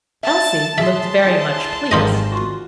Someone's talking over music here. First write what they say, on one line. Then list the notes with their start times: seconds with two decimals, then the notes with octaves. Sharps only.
Elsie looked very much pleased.
0.23 E5 A5 A6
0.78 G#4 E5 A5 C6
1.26 E4 G#4
1.91 G#1 G#2 F#3 G4 A4 C5 D#5 F5
2.32 F4 F#4